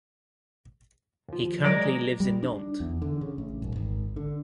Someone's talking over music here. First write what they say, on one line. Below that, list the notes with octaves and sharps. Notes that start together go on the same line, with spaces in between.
He currently lives in Nantes.
D#2 F3
F#3 G#3 A#4 D5
G3
D4
E2
D3
C#3
A1
D#1
G#1
D3